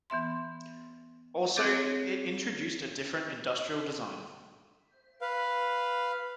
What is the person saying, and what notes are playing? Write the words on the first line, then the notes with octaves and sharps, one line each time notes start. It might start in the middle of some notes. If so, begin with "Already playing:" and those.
Also it introduced a different industrial design.
E3 B3 E5 C6
C4 G#4 C#5 D6 G6 A6
B4 F5